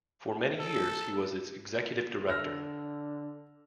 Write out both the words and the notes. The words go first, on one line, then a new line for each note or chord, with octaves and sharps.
For many years he was its executive director.
A4
D3 E6 F6 A#6